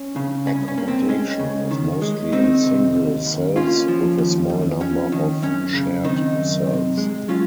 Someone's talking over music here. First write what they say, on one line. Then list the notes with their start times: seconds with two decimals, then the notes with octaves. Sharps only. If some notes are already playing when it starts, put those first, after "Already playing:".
Accommodation was mostly in single cells, with a small number of shared cells.
Already playing: C#4
0.16 C#3
0.46 C2 C#4
0.68 C#4
0.78 A#3
0.88 C4
1.09 G#3 C#4
1.39 C#3
1.71 D#3
2.02 G#3
2.32 D#3 C4 D#4
2.63 C3
2.95 D#2
3.25 D#2
3.56 A#3 C#4 F4
3.88 F3
4.18 D#2
4.50 D#2
4.80 F2 C#4
5.12 D#3
5.42 F#2 C#4
5.73 C#3
6.04 D#3 C4 D#4
6.35 F#2
6.67 C3
6.98 G#3
7.28 F#3 C#4 F4